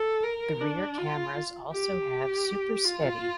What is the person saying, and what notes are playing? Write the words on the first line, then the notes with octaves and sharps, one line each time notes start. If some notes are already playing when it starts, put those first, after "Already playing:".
The rear cameras also have Super Steady.
Already playing: A4
A#4
D4
F4
G4
F4